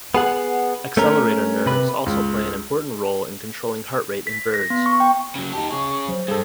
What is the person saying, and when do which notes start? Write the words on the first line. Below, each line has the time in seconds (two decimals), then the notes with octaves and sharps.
Accelerator nerves also play an important role in controlling heart rate in birds.
0.15 B3 G#4 F#5
0.97 A3 C#4 A#4
1.66 C3 B4
2.06 C#2
4.27 B6
4.54 A#6
4.70 B3
4.86 C#6
5.00 G5
5.35 C#3 F#3
5.53 D#4 G4 A5
5.71 C#4 G#4 C#6
6.09 F#3 C5
6.28 G2 G#4 A4